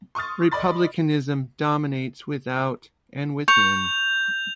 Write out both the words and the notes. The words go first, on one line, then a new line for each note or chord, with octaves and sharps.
Republicanism dominates without and within.
C6 C#6 D#6 F6 A6
D5 D#5 B5 C6 A6
C#6 G6 F7